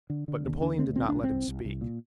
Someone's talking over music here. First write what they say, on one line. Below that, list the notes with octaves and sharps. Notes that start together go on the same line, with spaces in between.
But Napoleon did not let him speak.
D3
D3
D#2
D3 D4
D2 C4
C2 C4
C2 D4
C4
C2
C2
C2
A#2